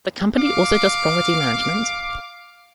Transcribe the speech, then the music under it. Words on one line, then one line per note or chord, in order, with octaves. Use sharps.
The company also does property management.
F5 D6